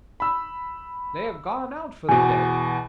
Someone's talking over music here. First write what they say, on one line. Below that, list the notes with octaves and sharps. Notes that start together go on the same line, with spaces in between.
They have gone out for the day.'
B5 E6
E2 B2 G#5